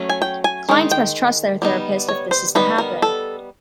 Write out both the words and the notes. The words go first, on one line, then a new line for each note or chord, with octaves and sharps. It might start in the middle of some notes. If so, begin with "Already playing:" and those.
Clients must trust their therapist if this is to happen.
Already playing: F#3 A3 C#4
G#5
G5
G#5
D#3 G#3 D#4
G5
G3 B3 D#4
C#5
C5
G3 B3 D#4 B4
A#4
A4